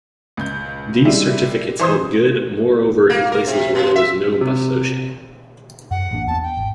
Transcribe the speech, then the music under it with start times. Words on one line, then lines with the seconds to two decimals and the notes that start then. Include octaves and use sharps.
These certificats held good, moreover, in places where there was no Basoche.
0.37 C#2 G6
1.05 G3 G#3 E4
1.79 E3 C5 D#6
3.10 A#3
3.32 A#4
3.47 C3
3.75 B2
3.96 E5
4.41 C3
5.91 F#2 F#5
6.11 A1 A#3 D4
6.27 E2 B3 A5
6.43 G5
6.57 G#1